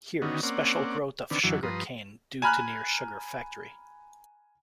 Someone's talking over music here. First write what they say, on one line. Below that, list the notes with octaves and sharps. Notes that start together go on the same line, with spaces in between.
Here, special growth of sugarcane due to near sugar factory.
D3 D#3 B3 C#4 D#4 F#4
A#3 C4 C#4 D5 F#5
D3 D#3 C4 D4 B4
F#2 D3 E3 F#3
G2 F3 B4 A#5 C6 D#6
G#5 A#5 B5 F6 F#6